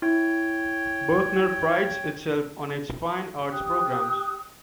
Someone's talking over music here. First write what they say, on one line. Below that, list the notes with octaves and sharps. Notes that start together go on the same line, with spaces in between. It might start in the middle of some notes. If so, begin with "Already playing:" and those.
Berkner prides itself on its fine arts programs.
E4 C#5 G5
G4 G5 D#6 F#6